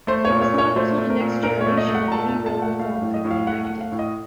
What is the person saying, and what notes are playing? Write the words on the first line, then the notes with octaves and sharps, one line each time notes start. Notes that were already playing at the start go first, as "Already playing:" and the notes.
It was not until the next generation that any real reform could be enacted.
A3 C5
C#5
A#2
C#5
A#2
C#5
A3 C5
A3
A#4
A#2
A#2 A#4
C#5
A3
D#5
A3
F#5
A#5
A#2 A5
A5
A#2
A5
A3 F#5
A3 F5
F5
A2
D#5
A2
F5
A3 F#5
F#5
A3
F5
A2
D#5